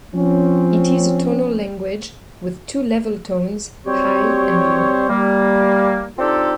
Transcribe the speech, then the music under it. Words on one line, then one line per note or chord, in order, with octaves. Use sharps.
It is a tonal language with two level tones, High and Low.
F3 C4 C#4
F#3 G3 C4 G4 C5 C#5
G3 A#3
C4 D4 D#4 F4 G4 A4